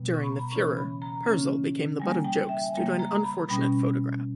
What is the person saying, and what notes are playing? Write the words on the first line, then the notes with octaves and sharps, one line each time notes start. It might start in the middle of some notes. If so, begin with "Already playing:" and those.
During the furor, Perzel became the butt of jokes due to an unfortunate photograph.
Already playing: B2 G3 B3
C#6
B5
A#5
B5
C#3 E3 A#3 C#4 C#6
B5
A#5
C#3 E3 A#3 C#4
C#3 G3 A#3 G#5
G5
G5
E5
G#5
C#3 G3 A#3 G5
A#5
B5
B2 G3 C#4 B5